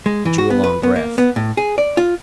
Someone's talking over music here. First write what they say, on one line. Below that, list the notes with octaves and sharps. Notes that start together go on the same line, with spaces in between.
He drew a long breath.
G#3
E3
F#4
B3
B4
B3
A#3
B3
A2
G#4
D5
F4